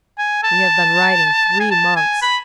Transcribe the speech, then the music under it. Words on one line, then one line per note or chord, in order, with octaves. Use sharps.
We have been riding three months.
G#5
A5
G#5
A5
G#5
B5